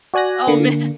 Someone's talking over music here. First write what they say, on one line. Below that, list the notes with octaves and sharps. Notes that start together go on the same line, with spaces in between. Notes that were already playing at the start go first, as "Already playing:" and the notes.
Oh, man.
F#4 D5 G#5 F#6 A#6
D3 A#3